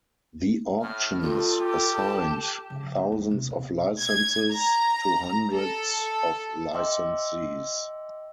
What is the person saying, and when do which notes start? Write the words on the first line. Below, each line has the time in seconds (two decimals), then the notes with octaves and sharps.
The auctions assigned thousands of licenses to hundreds of licensees.
0.81 A2 F6
1.22 G2 F4 A4
1.59 G4
1.96 A5
2.70 C#3
2.83 F3
2.97 B3
3.12 D#2
3.31 C3
3.50 B2
3.99 G#6
4.52 A#5
5.52 A4
6.74 D#5 E5 G5 C6 D6 E6